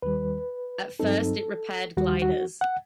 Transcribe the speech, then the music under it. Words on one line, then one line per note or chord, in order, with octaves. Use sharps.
At first it repaired gliders.
D#2 D#3 G3 B4
G2 F#3 C4 D#4 A4
D#2 D#3 G3 F#4
F#4
F#5